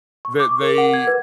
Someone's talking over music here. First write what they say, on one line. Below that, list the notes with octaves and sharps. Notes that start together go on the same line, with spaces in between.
that they
C#6
D6
A#4
F#5
G#6
B4